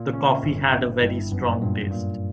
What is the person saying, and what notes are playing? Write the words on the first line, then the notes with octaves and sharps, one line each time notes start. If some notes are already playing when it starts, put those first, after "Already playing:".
The coffee had a very strong taste.
Already playing: A#2
C#4
G1
G1
G2 E4
F#2 B3
G2 A#2
A#2